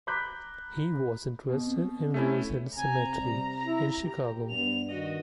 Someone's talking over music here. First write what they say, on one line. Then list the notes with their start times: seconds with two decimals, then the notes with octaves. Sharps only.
He was interred in Rosehill Cemetery in Chicago.
0.07 A#5 B5 D6 F#6 G6 B6
1.49 B2
1.65 C4
2.14 A3 C#4 E4
2.77 C3 G#5 A#5
3.12 G3
3.63 E4
4.01 G4
4.50 G2 B3 F7
4.90 D#3 F#4 D#5